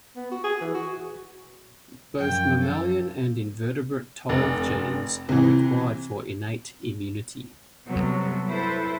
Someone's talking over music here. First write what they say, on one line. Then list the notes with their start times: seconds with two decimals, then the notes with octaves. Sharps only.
Both mammalian and invertebrate toll genes are required for innate immunity.
0.16 B3
0.31 F#4
0.43 G#4
0.61 E3
0.74 F#4
2.17 F#2 F3 G5
2.61 A4
4.29 F1
5.29 C3 E3
7.89 C3 F#3 G3 B3 A4
8.50 E4 A4 B4 C5